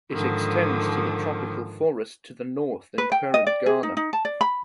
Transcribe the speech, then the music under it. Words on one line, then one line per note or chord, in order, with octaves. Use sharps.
It extends to the tropical forest to the north in current Ghana.
G#2 D3 D#3 F3
B4
G5
D#5
D5
G#4
D#4
D#4
A5
D5
B5